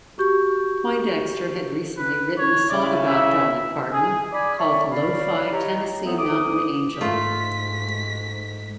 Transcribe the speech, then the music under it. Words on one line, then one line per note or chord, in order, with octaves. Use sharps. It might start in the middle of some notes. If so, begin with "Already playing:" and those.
Poindexter had recently written a song about Dolly Parton called "Lo-Fi Tennessee Mountain Angel".
F#4 G4 C#6 G6
B4
C#5
C#3 E4 D5
E5
G#4
D5 G#5 B5 D6
C#5 D5 E5 C#6
C#5 D5 F5 B5
G4 C#5 D#5 A#5
A2 B3 C4
D2 D6 D#6
G#2 G#3 A3 F4 B6